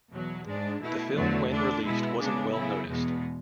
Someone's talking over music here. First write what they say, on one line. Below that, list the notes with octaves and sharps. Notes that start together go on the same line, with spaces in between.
The film when released wasn't well noticed.
E2 B2 F#3
G#2 G#3 D4
B2 A3 E4
E2 D3 F#3 A3
D3 A3 D4
B2 G#3 B3 E4
C#3 G#3 B3 D4
C#3 F#3 B3 E4
E2 B2 G#3 B3